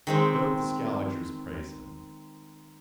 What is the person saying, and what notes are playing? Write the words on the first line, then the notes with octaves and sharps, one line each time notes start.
Both the Scaligers praise him.'
D#3 G#3 C4